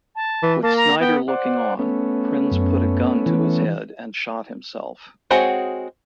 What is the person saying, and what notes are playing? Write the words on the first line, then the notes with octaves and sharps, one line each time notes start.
With Snyder looking on, Prinze put a gun to his head and shot himself.
A5
E3
A#3 A5
A#5
B3 G5
C5 D5 F#5
A3 B3 C#4
F#2
E3
G#3 C4 F#4 G#4 C#5